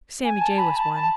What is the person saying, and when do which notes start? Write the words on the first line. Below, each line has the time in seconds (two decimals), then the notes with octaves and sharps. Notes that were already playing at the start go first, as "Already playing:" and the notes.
Sammy Jay was one.
0.25 G#5
0.41 A5
0.58 B5
0.76 A5
0.93 A5